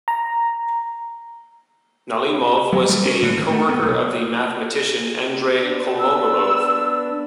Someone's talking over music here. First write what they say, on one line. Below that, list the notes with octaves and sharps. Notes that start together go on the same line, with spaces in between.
Nalimov was a co-worker of the mathematician Andrey Kolmogorov.
A#5
F#3
G3
C#4
A2
G#1
A3
B3
B1
B3 D4
E6